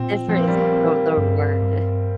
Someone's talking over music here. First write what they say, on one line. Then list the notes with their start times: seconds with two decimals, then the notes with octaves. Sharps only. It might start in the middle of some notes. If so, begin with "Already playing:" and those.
difference the their word.
Already playing: A#2 C4 F4
0.29 F3 C4
0.38 A#3
0.48 G3
0.57 A#3
0.73 C4
1.18 G2
1.62 G2